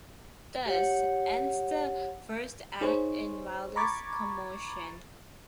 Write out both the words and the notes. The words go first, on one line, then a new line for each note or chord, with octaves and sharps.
Thus ends the first act, in wildest commotion.
G4 C#5 F#5
D#4 G#4 C5 C#5
A#5 B5 C#6 D6 G#6 A6